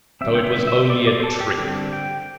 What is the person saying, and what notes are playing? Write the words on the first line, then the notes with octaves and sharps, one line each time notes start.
So it was only a trick!
D3 G3 C4 E5
G5
E5
E5
D5
D5
C5
A4
G4
D3 G3 C4 G4
G5